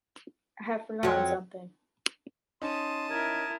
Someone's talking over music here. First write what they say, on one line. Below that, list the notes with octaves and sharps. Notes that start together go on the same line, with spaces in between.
I have forgotten something.
F2 F#3 F#4
C#4 D#4 A5 C6 D#6
E4 A#4 G#6